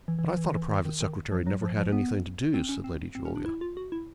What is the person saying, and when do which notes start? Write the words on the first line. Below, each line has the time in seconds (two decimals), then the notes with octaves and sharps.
"But I thought a private secretary never had anything to do," said Lady Julia.
0.08 E3
0.19 E3
0.29 F3
0.37 E3
0.46 D#3
0.54 E3
0.70 D#3
0.85 D#3
1.00 D#3
1.31 F3
1.47 F#3
1.62 F3
1.77 F3
1.92 B3
2.54 C4
2.69 C#4
2.84 C4
3.15 C4
3.25 C#4
3.36 D4
3.46 E4
3.61 F4
3.77 F#4
3.92 E4